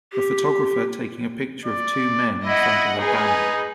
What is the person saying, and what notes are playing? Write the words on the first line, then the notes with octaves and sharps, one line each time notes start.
A photographer taking a picture of two men in front of a banner.
G4
D5
E4 D#5 F#5
D#4 G#4 B4